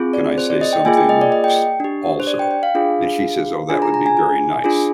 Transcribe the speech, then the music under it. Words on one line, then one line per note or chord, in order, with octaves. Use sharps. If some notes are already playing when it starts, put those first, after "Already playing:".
can I say something ps also," then she says, "Oh, that would be very nice,"
Already playing: C4 F4 G#4
D5
C5
D5
D#5
G5
A#3 F4 G#4 G#5
G5
D#5
D5
D#5
G5
D4 G4
C5
D5
G5
G5
F5
D4 F4 G#4
D4 F4 G#4 G#5
A#5
A#5
G#5
G#5
D4 F4 G#4